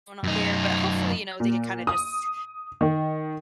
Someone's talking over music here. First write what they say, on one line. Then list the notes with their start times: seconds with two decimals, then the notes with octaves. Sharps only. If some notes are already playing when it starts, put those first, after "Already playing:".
going on there, but hopefully, you know, they can kinda just
0.24 F#2 D#4
1.40 A#2
1.87 D#6
2.81 D#3